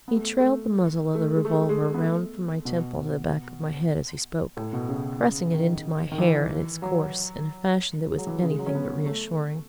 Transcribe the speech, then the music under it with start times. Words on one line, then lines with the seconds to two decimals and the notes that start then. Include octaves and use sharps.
He trailed the muzzle of the revolver round from my temple to the back of my head as he spoke, pressing it into my hair in its course in a fashion that was anything but reassuring.
0.08 B3
0.16 A3
0.40 A3
1.15 A3
1.36 G#3
1.45 A3
1.53 G#3
1.61 A3
1.69 G#3
1.94 B3
2.00 A3
2.65 B2
4.57 A2
4.73 B2
4.89 C#3
5.54 D#3
6.12 D#3
6.18 E3
6.82 F#3
8.10 G#3
8.18 F#3
8.27 E3
8.43 C#3
8.51 G#3
8.59 F#3
8.66 C#4
8.75 B3
9.06 A3